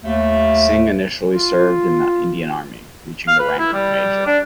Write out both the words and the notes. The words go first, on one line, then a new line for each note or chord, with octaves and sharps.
Singh initially served in the Indian Army, reaching the rank of Major.
D#2 A3
F4
F5
B4
E4
G3
D4